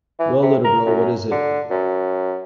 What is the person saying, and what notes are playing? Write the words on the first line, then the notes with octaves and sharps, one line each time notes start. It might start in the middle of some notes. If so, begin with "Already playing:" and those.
Well, little girl, what is it?
E3
C3
A#4
F#2
D3
F#2